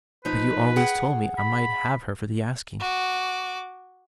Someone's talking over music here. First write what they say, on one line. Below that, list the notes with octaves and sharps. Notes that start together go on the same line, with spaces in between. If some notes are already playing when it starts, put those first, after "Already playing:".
"But you always told me I might have her for the asking."
F3 D#4 B4
G#4 F#5 G5
B5
F#4 D6